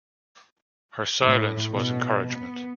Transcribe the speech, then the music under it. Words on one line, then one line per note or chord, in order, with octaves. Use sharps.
Her silence was encouragement.
A2
B2
B3